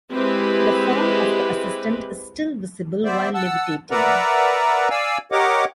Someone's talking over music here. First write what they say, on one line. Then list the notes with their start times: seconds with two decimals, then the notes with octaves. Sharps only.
The form of the assistant is still visible while levitating.
0.13 G#3 C4 E4 G4 B4
3.05 B3 C5 D5 E5
3.34 F#5 A5 E6
3.91 A#4 B4 D5 E5 F#5 A#5
4.90 D5 F5 G#5 E6
5.32 G4 A#4 C#5 D#5 F#5 D6